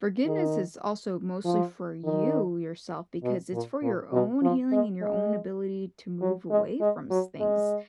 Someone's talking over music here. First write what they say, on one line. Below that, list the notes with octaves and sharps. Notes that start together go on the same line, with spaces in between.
forgiveness is also mostly for you, yourself, because it's for your own healing and your own ability to move away from s things
D#3
F3
D#3
B2
A#2
A#2
B2
F3
G#3
G#3
F#3
G#3
G#3
F#3
G#3